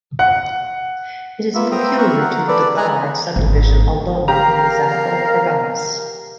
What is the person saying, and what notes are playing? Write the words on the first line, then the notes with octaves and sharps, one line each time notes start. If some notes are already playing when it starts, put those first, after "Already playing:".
It is peculiar to the Deoghar subdivision alone in the Santhal Parganas.
F#5
A#3 B3 F4 E5
B3 C5 E5 G5 A#5 D#6
E5 F5 C#6 F#6
A#4 F#5
A4 B4 D5
G#3 D#5 G#5 A#5 F#6
G#1
G4 A#4 F5 A#5